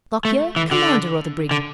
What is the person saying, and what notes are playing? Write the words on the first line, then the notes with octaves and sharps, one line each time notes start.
Lockyer, commander of the brig.
A3
E3
D3
D3